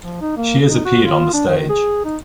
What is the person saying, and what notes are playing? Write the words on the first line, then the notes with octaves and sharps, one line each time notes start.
She has appeared on the stage.
F3
D#4
A#3
D#4
F#4
F4
D4
D#3
G#4
D#4